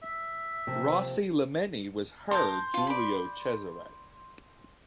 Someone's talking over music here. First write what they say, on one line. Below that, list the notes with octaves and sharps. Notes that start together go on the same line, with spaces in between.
Rossi-Lemeni was her Giulio Cesare.
E5
C3 F3 A#3
A#4 A5 A#5 C6 G6
F4 A5
D5 B5